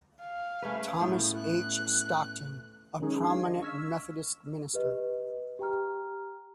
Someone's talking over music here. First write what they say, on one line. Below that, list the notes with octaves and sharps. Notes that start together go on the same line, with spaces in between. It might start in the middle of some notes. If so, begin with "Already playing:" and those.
Thomas H. Stockton, a prominent Methodist minister.
F5
A3 C#4 B4
A2 B3
F#6
D#3 F#3 G#3 C#4 D#4 G#4
D4 F5 G#6
D#5
C#6 E6 F6 G#6 B6 E7
G4 B4 D#5
G4 G5 A#5 F6